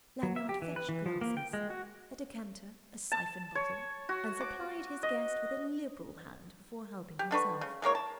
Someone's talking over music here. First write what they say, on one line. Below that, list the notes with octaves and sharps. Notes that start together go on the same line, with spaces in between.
Lanyard fetched glasses, a decanter, a siphon-bottle, and supplied his guest with a liberal hand before helping himself.
F#3
E5
G4
E3
B4
E3
F3
A#3
G5
G#3
F#4
A5
C#5
F#4
D6
D#5
G4
D3 D4 B4 C#6
C#3
E3 G#3 A#3 C#5
A5